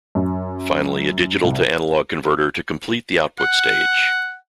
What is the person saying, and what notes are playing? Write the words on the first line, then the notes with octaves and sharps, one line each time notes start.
Finally a digital-to-analog converter to complete the output stage.
F#2
C2
F#5